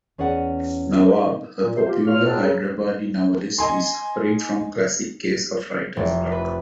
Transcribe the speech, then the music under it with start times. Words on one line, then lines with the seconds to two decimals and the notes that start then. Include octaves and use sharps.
Nawab, a popular Hyderabadi novelist, is suffering from a classic case of writer's block.
0.18 E2 C#4 G#4 D5 F#5
1.62 A#2
1.75 C3 C5
1.87 F4 G4
2.07 E2 F4 C#5 F5 F6
2.26 G#2 F3 F#3 G#3 C4 D4
2.40 C#3 F#3
3.58 D#5 G#5 C6
5.97 F1
6.32 B4